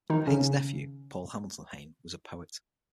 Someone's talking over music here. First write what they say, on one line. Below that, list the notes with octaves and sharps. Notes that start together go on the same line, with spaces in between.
Hayne's nephew, Paul Hamilton Hayne, was a poet.
D#3 D#4
C#3 C#4